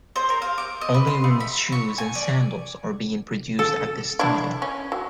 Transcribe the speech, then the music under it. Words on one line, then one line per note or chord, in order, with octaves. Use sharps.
Only women's shoes and sandals are being produced at this time.
C5
A#4
F5
D6
D#5
B4
C6
A3
B5
C#6
G#5
D5
A4
D4 E4
C#4
F#3